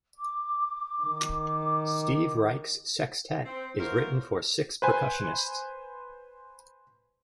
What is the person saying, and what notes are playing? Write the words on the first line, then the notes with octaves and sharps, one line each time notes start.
Steve Reich's "Sextet" is written for six percussionists.
D6
D#3
C4
B3 E4 F4 A#4 C5 C#5
B4 C5 G#5